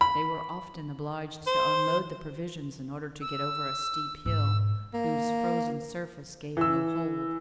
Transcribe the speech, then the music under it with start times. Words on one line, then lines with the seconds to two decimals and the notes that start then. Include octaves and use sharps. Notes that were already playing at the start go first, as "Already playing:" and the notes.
They were often obliged to unload the provisions in order to get over a steep hill, whose frozen surface gave no hold.
0.01 B5
1.47 C5
3.21 E6
4.26 G#2 B2 E6
4.94 A#3
6.57 E3 E6